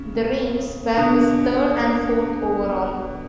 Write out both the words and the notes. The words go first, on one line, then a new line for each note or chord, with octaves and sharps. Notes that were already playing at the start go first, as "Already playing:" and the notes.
The reigns were his third and fourth overall.
Already playing: C#3
B2 D3